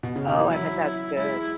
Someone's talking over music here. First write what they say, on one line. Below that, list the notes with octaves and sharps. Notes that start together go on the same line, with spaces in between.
Oh, I bet that's good.
B2
C#3
D#3
E3
F#3 E4
G#3 E4